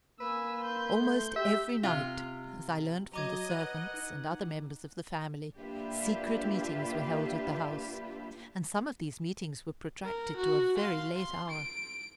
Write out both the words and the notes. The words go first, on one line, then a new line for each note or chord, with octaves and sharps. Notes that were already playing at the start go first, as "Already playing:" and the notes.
Almost every night, as I learned from the servants and other members of the family, secret meetings were held at the house; and some of these meetings were protracted to a very late hour.
A#3 B4 G#5 E6
C6 G6
A3
G4 E5
C3 F4
F#3 D#5 A#5 D6 G#6
B4 F#5
D#4
A#3 D4 F4 G4 B4 E5
A#4
F#4
F5 C6
C6
D7